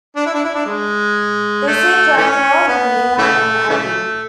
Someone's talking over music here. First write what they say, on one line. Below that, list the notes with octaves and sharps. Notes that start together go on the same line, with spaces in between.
They see Dracula with Mina in the abbey.
D4
E4
D4
E4
D4
G#3
A3
E3 A3 C#4
B3
C#3 E3 A3
C#3 E3 A3